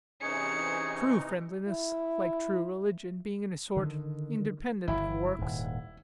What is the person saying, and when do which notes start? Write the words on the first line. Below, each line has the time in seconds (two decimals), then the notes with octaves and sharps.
True friendliness, like true religion, being in a sort independent of works.
0.22 C3 E3 C#4 D#4 G#4 C#7
1.68 E4
3.77 D3 D#3
4.88 G1 E4
5.39 D#1 G#2